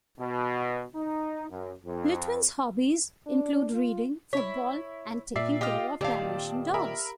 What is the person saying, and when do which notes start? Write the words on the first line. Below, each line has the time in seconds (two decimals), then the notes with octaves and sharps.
Lytvyn's hobbies include reading, football, and taking care of dalmatian dogs.
0.19 B2
0.94 D#4
1.50 F#2
1.85 F2
3.26 D4
3.73 F4
4.33 E4 C#5 B6
5.36 A#2 D5 E5 C7
5.61 F4 G4 D#5 F5
6.01 A#2 D#3 C4 G4 D5 F5 A5
6.74 A#4 E5 B5